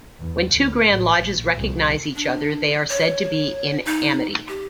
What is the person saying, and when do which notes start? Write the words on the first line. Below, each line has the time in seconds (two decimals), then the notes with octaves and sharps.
When two Grand Lodges recognize each other they are said to be "in Amity".
0.20 E2
0.53 D2
0.89 A1
1.19 A#1
1.56 C2
2.16 D4
2.90 C#5
3.85 D#4
4.48 G4